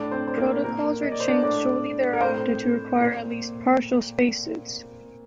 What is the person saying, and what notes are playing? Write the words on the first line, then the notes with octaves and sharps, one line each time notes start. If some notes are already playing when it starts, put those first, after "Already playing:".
Protocols were changed shortly thereafter to require at least partial spacesuits.
Already playing: A2 D4 D5
C4 C5
C5
A#3 A#4
A#2 A#3 A#4
D#5
D5
C5
D4 D5
A2 D4 D5
A#4
A2 C4 C5
A#2